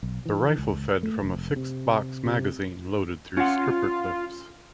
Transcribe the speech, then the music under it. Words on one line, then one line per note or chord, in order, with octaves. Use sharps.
The rifle fed from a fixed box magazine, loaded through stripper clips.
B1
E3
C#2
A3
F1
C3
C3
C#4 F4 F#5